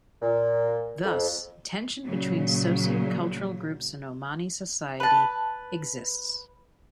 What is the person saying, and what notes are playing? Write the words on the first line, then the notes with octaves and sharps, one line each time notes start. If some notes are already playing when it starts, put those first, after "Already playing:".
Thus, tension between socio-cultural groups in Omani society exists.
A#2
F2
A#2 C#3 F#3
B4 A5